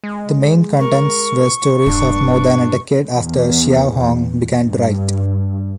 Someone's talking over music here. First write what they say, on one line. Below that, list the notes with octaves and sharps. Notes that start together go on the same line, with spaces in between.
The main contents were stories of more than a decade after Xiao Hong began to write.
G#3
A#4 C#6
D#1 G2 D4
E2
G2